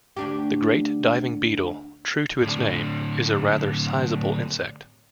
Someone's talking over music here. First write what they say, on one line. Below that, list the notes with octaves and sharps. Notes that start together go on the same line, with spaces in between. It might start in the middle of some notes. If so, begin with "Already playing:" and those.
The great diving beetle, true to its name, is a rather sizable insect.
D2 D4 G4
A2 D3